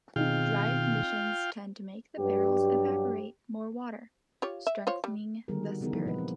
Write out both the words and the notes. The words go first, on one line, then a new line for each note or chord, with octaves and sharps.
Drier conditions tend to make the barrels evaporate more water, strengthening the spirit.
B2 D#3 C4 D#4 F4 G#4 F5 G5
G2 F#3 G4
F4 G4 C#5
E5
F4 C5 C#5
G3
D3 D#3 G3 B3 G#4 A#4
F#4
C#3 E3 B3 D#4 G#4 A#4
F3 G#3 D#4 E4 B4
A#2 A#3 B4
C4 D4